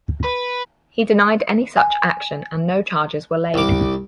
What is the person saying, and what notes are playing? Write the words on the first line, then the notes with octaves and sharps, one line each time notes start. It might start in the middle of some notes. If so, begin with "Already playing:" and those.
He denied any such action and no charges were laid.
B4
G#5
C2 D6